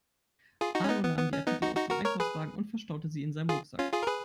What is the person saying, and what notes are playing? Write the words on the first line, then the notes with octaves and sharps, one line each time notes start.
Arno nahm die Artikel aus dem Einkaufswagen und verstaute sie in seinem Rucksack.
F4 G#4
D#4 F#4
C#4
B3 D#4
B3
B3
C#4
B3 D#4
D#4 F#4
D#4 F#4
F#4 A#4
A#4 C#5
G#4 B4
F4 G#4
C#4 F4
F4 G#4
A#4
G#4 B4